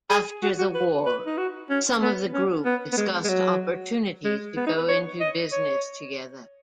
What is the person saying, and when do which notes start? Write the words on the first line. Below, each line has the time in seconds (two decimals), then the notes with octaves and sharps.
After the war, some of the group discussed opportunities to go into business together.
0.10 G#4
0.43 F#4
0.59 F#4
0.75 B4
1.06 B4
1.26 D#4
1.38 F#4
1.70 C#4
2.02 B3
2.34 C#4
2.66 B3
2.92 B3
2.97 G#3
3.24 G#3
3.29 F#3
4.25 G#3
4.57 B3
4.67 D#4
4.77 B4
4.88 C#5
5.20 D#5
5.52 C#5